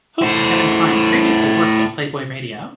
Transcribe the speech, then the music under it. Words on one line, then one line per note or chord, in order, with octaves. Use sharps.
Host Kevin Klein previously worked at Playboy Radio.
A2 C5